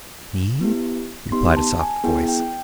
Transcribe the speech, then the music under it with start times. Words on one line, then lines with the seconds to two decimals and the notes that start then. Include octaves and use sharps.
'Me?' replied a soft voice.
0.61 B3 E4 G4
1.32 B3 D#4 G4 C6
1.57 A5
1.80 G#5
2.04 B3 E4 G#4 G5
2.29 G5